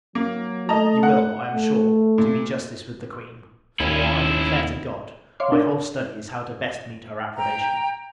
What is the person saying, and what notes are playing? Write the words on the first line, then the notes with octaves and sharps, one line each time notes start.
You will, I am sure, do me justice with the Queen; for, I declare to God, my whole study is, how to best meet her approbation.
F#3 A#3
A3 D#5 A5 A#5
F#5
A3
A#2
D#2 C#4 E4
C#5 E5 F5 C6 D6
D4 A#4 D5
G5 A#5